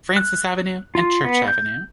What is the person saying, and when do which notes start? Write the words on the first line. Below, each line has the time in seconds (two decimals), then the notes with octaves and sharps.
Francis Avenue and Church Avenue.
0.16 F#6
0.95 F4
1.24 B3
1.48 G6